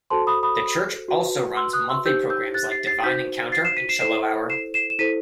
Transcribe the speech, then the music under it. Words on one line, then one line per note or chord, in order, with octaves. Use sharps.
The church also runs monthly programmes like Divine Encounter and Shiloh Hour.
F#4 A4 C5 A5 C6
B5 D#6
B5 D#6
F#4 B4
C6 E6
D#6 F#6
C6 E6
D#4 G4 C5 E6 G6
E6 G6
F#6 A6
A6 C7
A6 C7
D#4 F#4 C5 G6 B6
A6 C7
C7 E7
B6 D#7
C7 E7
E4 A4 C5 C7 E7
C7 E7
C7 E7
E7
E4 A4 C5 B6 D#7